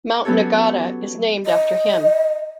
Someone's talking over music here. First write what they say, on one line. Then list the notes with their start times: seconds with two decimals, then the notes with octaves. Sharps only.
Mount Nagata is named after him.
0.25 F#3 B3 C#4 G4 A4 C#5
1.46 D#5